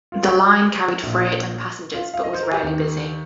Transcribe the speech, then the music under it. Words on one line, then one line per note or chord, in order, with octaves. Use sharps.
The line carried freight and passengers but was rarely busy.
F4
G4
A#1 A#2
F4
F5
D#5
C5
A#4
G4
D#2 D#3